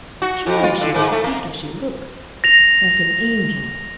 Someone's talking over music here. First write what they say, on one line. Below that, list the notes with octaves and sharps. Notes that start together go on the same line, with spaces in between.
"Surely she will speak as she looks, like an angel."
F#4
F2
F4
D3
G#2
A3
A#3
A#6 F7